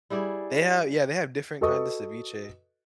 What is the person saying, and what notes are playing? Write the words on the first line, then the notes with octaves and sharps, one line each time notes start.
They have yeah, they have different kind of ceviche.
G3 E4 G#4 D5
F#4 A4 B4 D#5 C#6 D#6